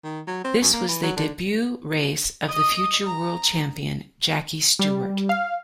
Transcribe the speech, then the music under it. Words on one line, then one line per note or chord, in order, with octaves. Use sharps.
This was the debut race of the future world champion Jackie Stewart.
D#3
F#3
C4
F#2
A#3
E3
F#3
D3
D#5 D#6
A#5
G3
F5